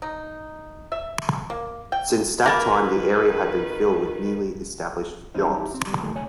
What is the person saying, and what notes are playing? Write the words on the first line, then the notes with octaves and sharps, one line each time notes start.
Since that time the area had been filled with newly established jobs.
D#4
E5
A#3
G5
D#3 A#3 B4 B5 A6 A#6
E3 G3 C4 C#4 D#4 C5
D#4 E4 G4
C4
G3 B3
A#2 D#3 F#3 A3 A#3 G#4
A2 C3 C#5 G#5